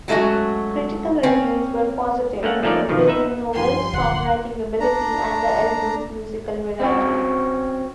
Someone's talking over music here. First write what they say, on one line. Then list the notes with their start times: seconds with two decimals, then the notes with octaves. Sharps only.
Critical reviews were positive, praising Nowell's songwriting ability and the album's musical variety.
0.08 F#3 G#3 A3 C#4 F#4
1.23 C4 C#4 C#5
2.43 A3 A#3 C#4 F#5
2.62 F3 A3 A#3 C#4 D#4 D5
2.89 B2 D#3 F3
3.08 D#4 B4 E5
3.55 G2 F3 G5 G#5 C6
3.93 D1 F#5
4.80 D4 A#5
6.80 C4 C#4 F#4